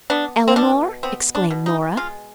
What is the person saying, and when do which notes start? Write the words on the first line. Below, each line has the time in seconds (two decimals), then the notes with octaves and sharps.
"Eleanor?" exclaimed Nora.
0.10 B3 D4
0.48 C4
0.56 B2 D4
1.03 B3 C4
1.35 D4
1.50 B2
1.66 D#4
1.97 G#3 F4